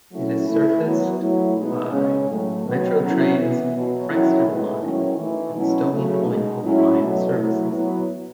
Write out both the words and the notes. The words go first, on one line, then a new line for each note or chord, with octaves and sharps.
It is serviced by Metro Trains' Frankston line and Stony Point line services.
F#3 A3 C#4 E4
E3 A3 E4
F#3 B3 E4
F#3 A3 E4
B2 G#3 B3 D#4
C#3 G#3 C#4
A2 F#3 A3
D#3 F#3 B3
F#3 C#4 E4
E3 B3 E4
B2 F#3 B3
D#3 F#3 C#4 E4
A2 G#3 B3 D#4
D#3 F#3 C#4 E4
E3 A3 D#4
B2 F#3 C#4 E4
C#3 F#3 A3
B2 G#3 D#4
A2 F#3 C#4 E4
B2 F#3 A3
F#3 A3 E4
F#3 B3 E4